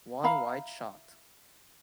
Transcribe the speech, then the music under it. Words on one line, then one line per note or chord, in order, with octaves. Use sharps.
One wide shot.
E5 F5 A#5 B5